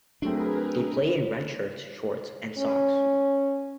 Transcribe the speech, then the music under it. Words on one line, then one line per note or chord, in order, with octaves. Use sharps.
They play in red shirts, shorts and socks.
F#3 A3 C4 D4 G#4 A#4 B4
C#4